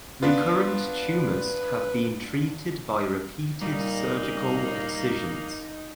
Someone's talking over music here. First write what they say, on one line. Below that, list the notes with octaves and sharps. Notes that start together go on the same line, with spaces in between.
Recurrent tumors have been treated by repeated surgical excisions.
B3 D4 F4 B4
A#2 G3 A#3 D#4